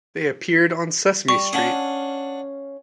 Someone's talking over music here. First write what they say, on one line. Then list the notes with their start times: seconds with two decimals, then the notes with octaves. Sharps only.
They appeared on Sesame Street.
1.28 G3 C#6
1.53 C#4 D4 F5 F#5 D#6